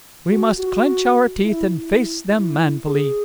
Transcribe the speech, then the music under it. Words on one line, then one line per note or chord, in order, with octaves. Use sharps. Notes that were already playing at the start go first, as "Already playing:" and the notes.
We must clench our teeth and face them manfully.
F#4
F#4
E4
E4
E4
G#4